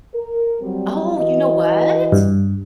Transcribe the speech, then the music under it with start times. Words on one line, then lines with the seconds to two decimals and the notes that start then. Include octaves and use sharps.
Oh, you know what?
0.14 A#4
0.62 F#3 G3 C4
1.17 E3 F#4 D#5
2.12 G2